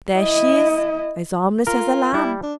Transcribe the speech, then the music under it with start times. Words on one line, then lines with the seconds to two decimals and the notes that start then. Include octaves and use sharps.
There she is as harmless as a lamb.
0.17 E4 D#5
1.67 F4 A#4
2.14 G3 E4
2.43 D4